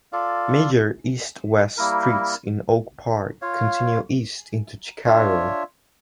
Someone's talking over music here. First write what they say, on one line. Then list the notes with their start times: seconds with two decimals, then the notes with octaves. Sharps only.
Major east-west streets in Oak Park continue east into Chicago.
0.12 F4 A4 D5 F5
1.77 G3 A#3 E4 A#4
3.42 F4 C#5 F5
5.05 D4 F4 C#5 E5